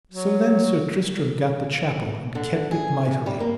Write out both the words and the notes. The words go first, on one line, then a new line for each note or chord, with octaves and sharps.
So then Sir Tristram gat the chapel and kept it mightily.
F#3
D3
G#4
C3
G3
A#3